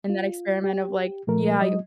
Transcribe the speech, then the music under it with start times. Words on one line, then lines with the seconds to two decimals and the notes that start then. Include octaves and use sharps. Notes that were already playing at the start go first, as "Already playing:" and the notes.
and that experiment of like yeah, you
0.10 F4
0.64 G4
1.27 A#2 F3 A3 A#4
1.60 F#3 D#5